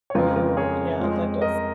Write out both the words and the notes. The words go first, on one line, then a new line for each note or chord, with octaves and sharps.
Ooh, yeah, that does
C#5
F2 C#3 F3 G#3 F4 A#4
F4 A#4
G#4 C#5
F2 F3 G#3
A#4 D#5